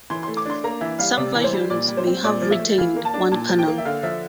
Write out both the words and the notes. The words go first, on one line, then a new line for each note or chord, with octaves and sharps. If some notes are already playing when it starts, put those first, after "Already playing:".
Some versions may have retained one cannon.
E3 C6
A3 C6
D6
D4 C6
A#3 A#5
E3 E5
G3 F5
C3 D5
E3
C5
G3
A#2 D5
G3
C5
C4
A#2 D5
F3
E5
A3
E3 F5
A#3
A5
D4
A#2 A5
F3
G5
A#3
E5
D3 F5
F3 E5